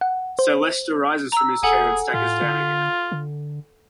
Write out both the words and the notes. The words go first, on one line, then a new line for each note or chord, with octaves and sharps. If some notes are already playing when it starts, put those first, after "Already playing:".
Sir Leicester rises from his chair and staggers down again.
F#5
C5
A#5 E6
E1 G#4 A4 F#5 G#5
A2 F4
D3
D3